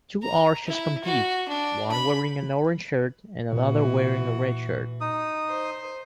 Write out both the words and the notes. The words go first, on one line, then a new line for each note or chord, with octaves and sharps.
Two archers compete, one wearing an orange shirt and another wearing a red shirt.
A#5
E4
F#4
D4
B5
A#2 E3 F#4
D#4 D#6
C5